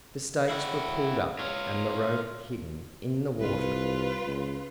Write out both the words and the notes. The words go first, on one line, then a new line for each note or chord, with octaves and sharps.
The stakes were pulled up and the rope hidden in the water.
E4 F#4
F4 C#5
C2 F4 B4
C#2